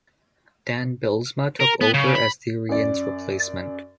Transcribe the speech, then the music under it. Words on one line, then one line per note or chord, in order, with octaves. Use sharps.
Dan Bylsma took over as Therrien's replacement.
A#4
B3
C#3
B5
F#2 D5